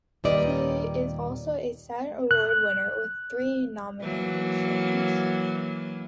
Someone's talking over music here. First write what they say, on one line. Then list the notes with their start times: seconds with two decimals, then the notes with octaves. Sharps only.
She is also a Saturn Award winner with three nominations.
0.24 D#2 A#2 G3 B4 D5 D#5
2.31 F#6
4.01 E3 F#3 A#3